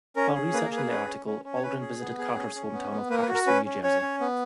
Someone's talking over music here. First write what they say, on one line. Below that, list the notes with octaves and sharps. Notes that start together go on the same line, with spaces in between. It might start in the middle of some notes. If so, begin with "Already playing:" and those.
While researching the article, Algren visited Carter's hometown of Paterson, New Jersey.
C#4 A#4
G#4
A#3 B4
A#4
G#4
B4
C#4 B4
C#4
C#4
C#4
C#5
C#4 B4
G#4
B3
G#4
C#4
C#4
B3
B3
A#3 B4
B4
F#4
A#4
C#4 B4
C#4
C#4 C#5
C#4
B3